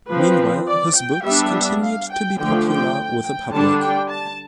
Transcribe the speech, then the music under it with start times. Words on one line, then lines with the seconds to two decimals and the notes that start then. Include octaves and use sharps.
Meanwhile, his books continued to be popular with the public.
0.10 F3 C4 B4
0.68 D5
0.96 G5
1.24 G3 B3 D4 E5
1.81 F5
2.10 G5
2.38 D3 F3 A3 G5
2.67 G5
3.24 G5
3.52 D3 G3 D4 A5
3.82 G5
4.10 A5